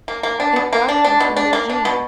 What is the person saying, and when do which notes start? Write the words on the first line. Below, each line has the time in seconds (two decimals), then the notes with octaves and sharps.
It broadcasts from Beijing.
0.08 A#3
0.23 A#3
0.40 D4
0.56 B2
0.73 A#3
0.88 D4
1.04 D4
1.20 B2
1.36 D4
1.53 A#3
1.70 D4
1.85 B2